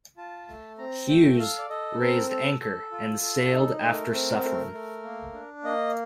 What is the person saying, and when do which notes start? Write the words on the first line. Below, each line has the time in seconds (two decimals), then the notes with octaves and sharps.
Hughes raised anchor and sailed after Suffren.
0.17 F4 A5
0.48 A3
0.78 C4 A#5
1.08 A3 G5
1.39 A4 F5
1.58 D5
1.69 A4 D#5
2.00 C4 A#4
2.30 A4
2.60 A4
2.91 F4
3.21 A4
3.51 D#4
3.81 A3 A#4
4.12 C4 A#4
4.43 A3
4.72 A3
5.03 A#3
5.33 D4
5.63 A#3 D#5